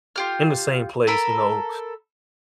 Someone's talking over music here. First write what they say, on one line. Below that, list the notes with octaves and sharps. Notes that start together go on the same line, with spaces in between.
in the same place, you know
F4 G4 F6
A4 A#4 B5